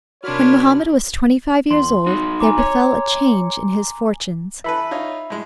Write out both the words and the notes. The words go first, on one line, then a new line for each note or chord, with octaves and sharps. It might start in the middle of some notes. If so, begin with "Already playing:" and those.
When Mohammed was twenty-five years old there befell a change in his fortunes.
C3 D4 F4 F#4 A#4 C#5 B5 F6
E2 C6
D#4 F#4
G#5 A#5 D6
C#5
E3 A4 B4 E5 B5
D#4 F4 C#5
A2 G#3